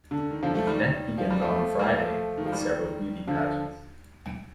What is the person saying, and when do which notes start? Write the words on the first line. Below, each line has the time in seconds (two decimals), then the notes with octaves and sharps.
The event begins on Friday with several beauty pageants.
0.11 D3
0.31 D#3
0.43 D3 F3
0.55 F3 A3
0.67 D#3 G3
1.18 F3
1.30 G3
1.41 F3 A3
1.79 G3 A#3
1.97 F3 A3
2.37 D#3
2.46 F3
2.52 D#3 G3
3.27 D3 F3